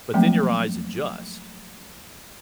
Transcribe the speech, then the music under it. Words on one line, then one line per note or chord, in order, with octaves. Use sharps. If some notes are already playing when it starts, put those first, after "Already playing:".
but then your eyes adjust.
F3 F#3 A3 A#3 C4